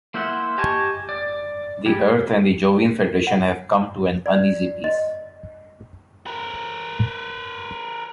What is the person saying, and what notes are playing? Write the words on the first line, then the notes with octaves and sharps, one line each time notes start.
The Earth and the Jovian Federation have come to an uneasy peace.
A#3 E4 C5 E5 F#5
G4 D#5 G#5 A5 C#6
D5
G3 G#3 G4
F#5
D5
D#5
A#4 B4